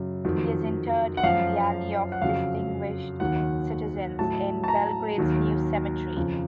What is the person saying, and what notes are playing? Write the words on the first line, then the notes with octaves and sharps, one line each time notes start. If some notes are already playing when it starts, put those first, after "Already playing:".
He is interred in the Alley of Distinguished Citizens in Belgrade's New Cemetery.
Already playing: F#2 C#3 F#3
F2 D#3 F#3
F#5
F#2 F3 F5
F#5
F2 C#3 F#3 F5
D#2 D#3 F#3 F#5
A2 F#3 A5
A5
A#5
D#2 D#3 F#3
F2 C#3 F3